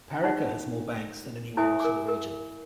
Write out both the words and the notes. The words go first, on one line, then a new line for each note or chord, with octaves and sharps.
Parika has more banks than anywhere else in the region.
D#4 C5 F#5
E4 C5 E5 G#5 D#6
A#4 G#5 D6
A#4